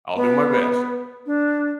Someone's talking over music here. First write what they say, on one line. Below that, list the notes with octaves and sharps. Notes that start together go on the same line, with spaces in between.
I'll do my best.
B3
D4